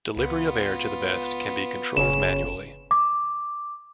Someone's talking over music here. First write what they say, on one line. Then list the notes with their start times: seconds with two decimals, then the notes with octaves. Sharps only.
Delivery of air to the vest can be controlled manually.
0.16 C#2 B3 F4
1.97 F#1 C#3 C#4 E7
2.91 D6